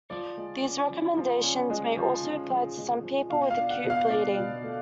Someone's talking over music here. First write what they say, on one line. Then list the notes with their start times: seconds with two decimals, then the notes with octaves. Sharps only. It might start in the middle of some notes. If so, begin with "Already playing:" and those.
These recommendations may also apply to some people with acute bleeding.
0.10 F3 D5
0.37 G#3
0.64 C#4
0.90 F3
1.17 F3
1.44 C#4
1.70 G#3
1.97 F3
2.24 C#4
2.50 F3
2.77 G#3
3.04 F3
3.30 B2 F5
3.51 F5
3.56 D4
3.70 F#5
3.84 B2
3.90 F5
4.10 D4 D5
4.37 B2
4.64 A3